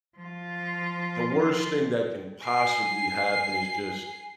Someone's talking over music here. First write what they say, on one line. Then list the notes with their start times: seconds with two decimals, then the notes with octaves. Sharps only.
the worst thing that can possibly happen is just,
0.18 F3 F4
2.44 G#5 C7